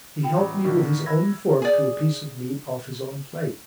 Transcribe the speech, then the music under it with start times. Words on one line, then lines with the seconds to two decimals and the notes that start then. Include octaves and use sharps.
He helped me with his own fork to a piece of meat off his own plate.
0.23 F4 G5
0.38 A1 B5
0.64 A2 D3 D#3
1.06 C5 E5 B5 E6 G#6 A#6
1.62 G#4 D5